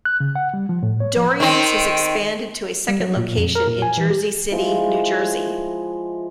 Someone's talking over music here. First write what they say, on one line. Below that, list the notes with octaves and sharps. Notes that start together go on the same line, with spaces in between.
Dorrian's has expanded to a second location in Jersey City, New Jersey.
F#6
C#3
F#5
G3
F3
A2
C#5
F3
D#3 C4
G3
F#3
A#2
F2
A#4
A#2
G#5
E3
G4
F3 G#3 E4